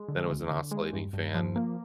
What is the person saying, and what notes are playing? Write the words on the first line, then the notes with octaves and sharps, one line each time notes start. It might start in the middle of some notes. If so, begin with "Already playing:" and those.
then it was an oscillating fan.
Already playing: G#3
D3
D2
D3
G#3
G2
G2
F3
A#3